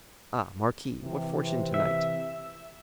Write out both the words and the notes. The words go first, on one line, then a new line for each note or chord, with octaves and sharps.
"Ah! marquis, what fortune to-night?"
C3 E3
E5